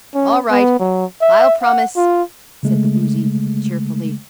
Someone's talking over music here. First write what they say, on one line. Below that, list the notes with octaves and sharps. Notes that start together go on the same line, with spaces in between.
"All right; I'll promise," said the Woozy, cheerfully.
C#4
B3
F#3
E5
F#5
F4
C#3 G#3 A3